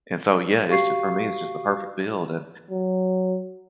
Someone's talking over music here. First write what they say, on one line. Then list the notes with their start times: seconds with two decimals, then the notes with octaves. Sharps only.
and so, yeah, it's just for me, it's just the perfect build. And,
0.68 F#4 G4 F5 C#6 C7
2.70 F#3